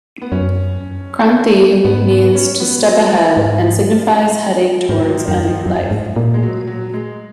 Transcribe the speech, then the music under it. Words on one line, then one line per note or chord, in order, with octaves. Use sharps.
"Kranthi" means "to step ahead" and signifies heading towards a new life.
B3
F#2 C#4
G#2 B3
B3
C#4
B3
F#3
F3
G#2
G#2 D#3
F#3
F3
F3
F#2 D#3
F3
F#3
F#2 F3
G#2
A#2
G#3
F#3
F#3
G#3